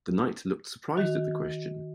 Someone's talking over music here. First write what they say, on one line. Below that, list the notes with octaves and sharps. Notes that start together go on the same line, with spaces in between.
The Knight looked surprised at the question.
D#3 F#4